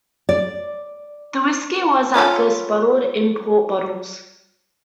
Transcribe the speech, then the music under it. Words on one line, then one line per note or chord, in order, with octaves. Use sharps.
The whisky was at first bottled in port bottles.
D5
B3 C#4 F4 A4